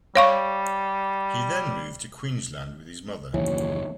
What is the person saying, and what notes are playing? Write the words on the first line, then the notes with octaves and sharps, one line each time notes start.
He then moved to Queensland with his mother.
G3 C#5 F5 C#6
F#1 D#2 E3 C#5